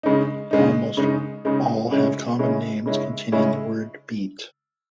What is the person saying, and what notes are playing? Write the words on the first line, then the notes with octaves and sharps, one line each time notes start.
Almost all have common names containing the word "beet".
C#3 G#3 D#4
C#3 G#3 D#4
C#3 G#3 D#4
C#3 G#3 D#4
C#3 G#3 C#4 E4
C#3 G#3 C#4 E4
C#3 G#3 C#4 E4
C#3 G#3 C#4 E4